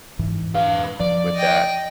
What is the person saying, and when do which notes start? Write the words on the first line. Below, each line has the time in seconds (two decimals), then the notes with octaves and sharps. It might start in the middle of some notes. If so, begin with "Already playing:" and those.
with that.
0.19 G#2 E3
0.55 B4 F5
1.00 F3 D5
1.35 D#5 G5